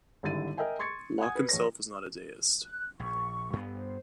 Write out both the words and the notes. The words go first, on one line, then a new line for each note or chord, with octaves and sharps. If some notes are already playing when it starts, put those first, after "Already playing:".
Locke himself was not a deist.
G#1 D3 G3 E4 A6 D#7
A#4 D#5 E5 G5 G#5
C6 C#6 G#6 A6 C#7
F#5 G#5 D#6 G#6
B4
A#1 C#5 A#6
F#6
A#1 C#6
G2 B3
C5